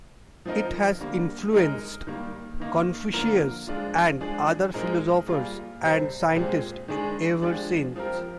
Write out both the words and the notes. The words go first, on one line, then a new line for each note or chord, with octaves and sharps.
It has influenced Confucians and other philosophers and scientists ever since.
F3 C4 D#4 A#4
D3 G3 A#3
G#3 D#4 A#4
D#3 G3 A#3
D#3 A#3 D#4
D3 F3 A#3 F4 A#4
F3 G#3 D4 F4
F3 G#3 D4 G#4
A#2 G#3 C4 D#4 A#4
G3 A#3 F4 G#4
C3 G3 C4
A#2 G#3 C4 G4
D#3 G#3 D4 G#4
F3 G#3 D4 G4
F3 C4 G4 A#4